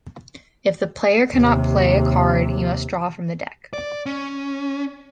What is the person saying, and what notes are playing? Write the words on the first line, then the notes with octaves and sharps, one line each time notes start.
If the player cannot play a card, he must draw from the deck.
D#2 C3
D5
C#4